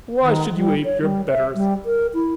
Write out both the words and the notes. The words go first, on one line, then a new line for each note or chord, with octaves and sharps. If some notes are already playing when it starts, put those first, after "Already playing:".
Why should you ape your betters?
D#3
G3
C#5
G3
E5
G3
A#4
E4